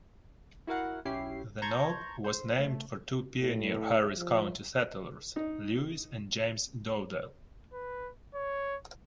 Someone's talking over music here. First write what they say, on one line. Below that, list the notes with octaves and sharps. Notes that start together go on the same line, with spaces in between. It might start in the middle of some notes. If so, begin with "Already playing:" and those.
The knob was named for two pioneer Harris County settlers: Lewis and James Dowdell.
E4 F#4 A#4 F5 F#5
B1 C#4 E4 G4 C7
A5 A#5 C6 C#6 G6 G#6
C5
A3
A2
F3
D#4
B4
C#5